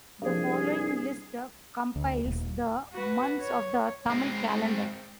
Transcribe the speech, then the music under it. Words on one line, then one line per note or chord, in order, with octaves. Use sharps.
The following list compiles the months of the Tamil Calendar.
C2 G2 F3 A#3 G#4
D2
D#1
F#4 B4
C#5
G#3 C4